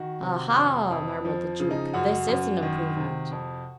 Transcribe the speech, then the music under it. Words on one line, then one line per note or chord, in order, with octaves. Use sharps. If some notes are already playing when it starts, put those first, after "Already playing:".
"Ah, ha!" murmured the duke, "this is an improvement!"
Already playing: D#3 F#4
C3
F2
F2
F3
C#3
D#4
F#2 F#4
F#2
D#3
C3
F2